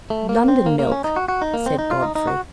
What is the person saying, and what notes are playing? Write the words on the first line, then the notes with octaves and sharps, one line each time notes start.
"London milk!" said Godfrey.
A3
A#3
C4
A#3
A#3
C#4
D#4
F#4
F#4
D#4
A#3
C4
D#4
F4
D#4
D#4
F#4